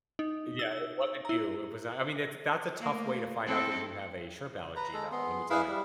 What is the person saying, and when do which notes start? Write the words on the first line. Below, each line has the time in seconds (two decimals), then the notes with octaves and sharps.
Yeah, it wasn't you. It was I mean, that's that's a tough way to find out that you have a shrimp allergy though, let me tell ya.
0.19 D#4
0.59 E6
1.25 E4 A#5
2.78 A3 A#3
3.46 C4 E4 A4
4.76 B4 A#5
4.94 G#3 A4
5.12 B3 G#4 C6
5.50 E4 G#4 B4 F5
5.68 G3